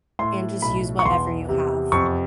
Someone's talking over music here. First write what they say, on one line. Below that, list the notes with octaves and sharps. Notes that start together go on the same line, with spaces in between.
and just use whatever you have.
A2 C6
B1 B5
C#6
E2 C6
C3
F2 C#6